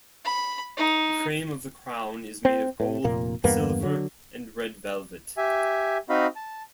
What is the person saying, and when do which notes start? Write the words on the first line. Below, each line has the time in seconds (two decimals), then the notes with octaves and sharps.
The frame of the crown is made of gold, silver and red velvet.
0.25 B5
0.77 D#4
2.45 C4
2.80 A2
3.04 F1 A#2 A#3
3.44 E2 G2 A#3 B3
3.83 D3 F#3
5.37 G4 E5 G#5
6.09 C4 D#4 F#4 D#5 F5 B5
6.36 A5